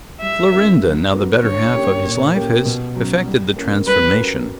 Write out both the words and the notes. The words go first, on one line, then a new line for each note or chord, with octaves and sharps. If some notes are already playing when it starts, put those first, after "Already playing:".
Florinda--now the better half of his life--has effected the transformation.
G3 E5
C#4 E4 A#4
F#3
B3 F#4 A#4
D3 C#5
A#3 C#4 G4
A#2
A#3 C#4 G4
B2
F#3 C#4
G3
A#3 C#4
G3 B4
C#4 F#4 A#4